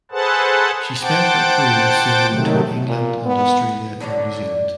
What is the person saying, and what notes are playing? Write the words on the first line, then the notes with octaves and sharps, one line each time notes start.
She spent her career sailing between England and Australia and New Zealand.
G#4 A4 B4 C5 F#5 A5
C5 F#5 G5 A5 D6
C3 D#3 F#3 A3
A#2
B3
A2 D3 F#3 D4